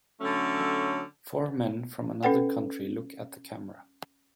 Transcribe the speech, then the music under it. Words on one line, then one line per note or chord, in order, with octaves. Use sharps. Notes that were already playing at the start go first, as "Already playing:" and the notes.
Four men from another country look at the camera.
D3 F#3 A3 C#4 A4
C#4 A4 B4 F#5 G5